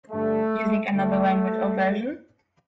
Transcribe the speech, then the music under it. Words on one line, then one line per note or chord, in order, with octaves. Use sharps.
Using another language or version?
G2 D3 G3 A3
D2 D3 G3 A3